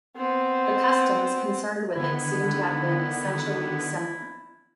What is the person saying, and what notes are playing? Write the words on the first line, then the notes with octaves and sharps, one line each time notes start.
The customs concerned with it seem to have been essentially similar.
B3 C4
D3 D#3 B3 E4